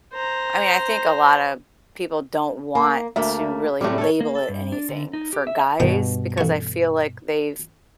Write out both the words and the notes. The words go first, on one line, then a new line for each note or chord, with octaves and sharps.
I mean, I think a lotta people don't want to really label it anything for guys because I feel like they've,
C5 A#5
A#3
D2 A3 A#3 E5
A2 C3 F#3 G3 A3
A4 C#5
A#3
A4
G2
D4
D3
D#4
G4
E5
G2 B2 D#3 G5
A1 C#6